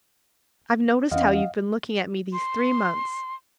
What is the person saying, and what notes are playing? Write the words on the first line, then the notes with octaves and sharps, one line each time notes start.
I've noticed how you've been looking at me these three months.
E2 E3 C#4 D#5 F5 F#5
C6